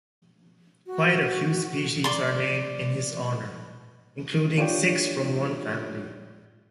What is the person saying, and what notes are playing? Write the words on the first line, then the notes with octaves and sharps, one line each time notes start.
Quite a few species are named in his honour, including six from one family.
F#4
D5 C6
D4 F4 G4 C#5 D5 G5